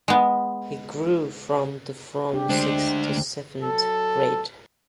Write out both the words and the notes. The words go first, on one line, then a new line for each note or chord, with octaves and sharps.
He grew from to from sixth to seventh grade.
G#3 B3
D4 G4
D2 G#3 D4 C5
F#3 A4